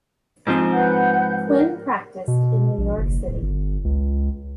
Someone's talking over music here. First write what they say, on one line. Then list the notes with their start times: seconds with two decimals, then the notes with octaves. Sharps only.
Quinn practiced in New York City.
0.47 G#2 F3 C4
0.72 B4 F#5 G6
1.47 G4 A#4 D5
2.28 B2
2.78 A#1
2.97 F#1
3.27 D1
3.42 G1
3.84 C#2